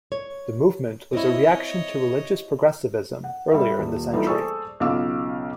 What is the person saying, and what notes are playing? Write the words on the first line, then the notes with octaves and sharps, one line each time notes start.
The movement was a reaction to religious progressivism earlier in the century.
C#5
C4 E4 C#5 D#5
F#5
G3 E5
D#1
E3 G3 A3 B3 D#4 F4
G#4 A4 C5 D5 C#6 E6
B1 C#3 F4 F5 D6 E6